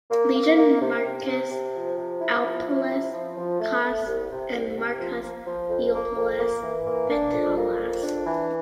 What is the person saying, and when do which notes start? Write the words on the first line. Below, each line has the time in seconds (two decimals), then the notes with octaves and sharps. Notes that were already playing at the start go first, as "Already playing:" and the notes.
Legion, Marcus Ulpius Caius and Marcus Ulpius Vitalis.
0.10 A#3
0.34 A#3
0.56 A#3
0.80 C3
1.04 C3
1.27 C3
1.51 C3
1.73 F3
1.96 C3
2.20 E4
2.44 F3
2.67 E4
2.90 C3
3.13 F3
3.37 F3
3.60 A3
3.83 A3
4.06 C2
4.30 C3
4.53 C2
4.77 C3
4.99 F3
5.22 A#3
5.46 F3
5.69 F2
5.93 A#3
6.16 F2
6.39 A#3
6.63 E3
6.85 A#3
7.09 D4
7.33 F2
7.56 A#3
7.79 F2
8.03 D4
8.26 E3